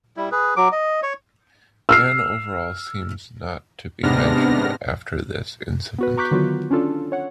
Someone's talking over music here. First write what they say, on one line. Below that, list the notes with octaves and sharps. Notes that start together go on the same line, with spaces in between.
Anne Overall seems not to be mentioned after this incident.
G3 E4
G#4 B4
F#3 D6
D#5
C#5
E6 F6 C7
G#2 C3 B3 D4 F6 A#6
B3 F#4 B4
A#5 C#6 D6 F#6 G6 B6
D3 D#3 F#3 B3 F4 F#4
C#4 D4 F4 A4
C#5 F#5